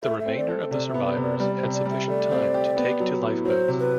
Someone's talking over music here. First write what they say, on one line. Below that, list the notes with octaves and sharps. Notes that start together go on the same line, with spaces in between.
The remainder of the survivors had sufficient time to take to lifeboats.
A3 E5
E5
C4
D5
A4
C3 D5
E5
B3
D5
C3
D5
G3 D5
C5
C3
D5
G3
E5
A3 D5
C4
G4
B3
F#3
A2
F#3 C5
C3
B4